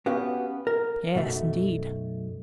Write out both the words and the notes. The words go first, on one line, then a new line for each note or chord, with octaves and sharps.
"Yes, indeed."
B3 C#4 F#4 G4 F5
A#4
B1 F#2 A3 E5